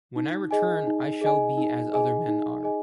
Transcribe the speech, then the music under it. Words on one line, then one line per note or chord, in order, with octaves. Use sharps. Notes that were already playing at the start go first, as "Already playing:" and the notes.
When I return I shall be as other men are.
D#4
G#4 D#5 G#5
D#4
G#4 D#5 G#5
D#4
G#4 D#5 G#5
D#4
G#4 D#5 G#5